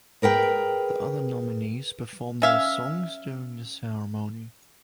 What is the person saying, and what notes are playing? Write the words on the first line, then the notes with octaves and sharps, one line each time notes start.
The other nominees performed their songs during the ceremony.
G#4 A#4 B4 G5
C#4 E5 F5